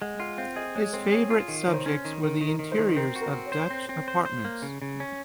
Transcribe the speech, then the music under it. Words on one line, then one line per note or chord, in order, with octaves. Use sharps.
His favourite subjects were the interiors of Dutch apartments.
G#3 F#5
F4 F#5
C4 F5
G#4 D#5
G#3 C#5
C4 C5
G#4 C#5
F4 C#5
D#3
C#5
D#3
C5
C#4
D#3
D#3 A#4
D#3
A#4
D#3
C5
D#3
C4 A#4
F#4
A#4
C4
C#5
C5
C4
C4
C5
C5
A#3
C#3
C#3
C#4